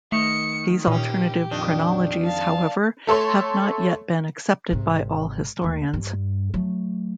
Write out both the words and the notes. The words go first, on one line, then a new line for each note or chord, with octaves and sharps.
These alternative chronologies, however, have not yet been accepted by all historians.
D#3 A3 C#7
D#2 A#2 C#4 G4
F2 D#3 D4
F5 A5
A3 A4 C#5 C6
G#1 C3
D#2 A3
G2
F#3 A3